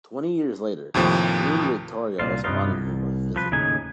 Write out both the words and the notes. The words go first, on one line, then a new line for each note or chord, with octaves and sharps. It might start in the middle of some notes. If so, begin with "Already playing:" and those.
Twenty years later, Queen Victoria also honoured him with a visit.
D#2 A2 C3 F3
C2 A#2 F4
G2 C3 B3 D#4 F4
C2
F3 B4
D#2 A2 C#3 D#4 G#5